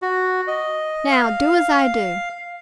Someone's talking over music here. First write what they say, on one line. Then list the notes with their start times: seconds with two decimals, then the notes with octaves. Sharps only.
Now, do as I do.
0.02 F#4
0.47 D#5
1.10 F5